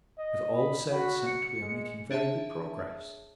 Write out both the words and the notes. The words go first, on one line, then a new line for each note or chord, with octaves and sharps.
With all sail set we are making very good progress.
D#5
B5
F#4 B5
C#7
G#3
D4 G#4 C#5 E5 A5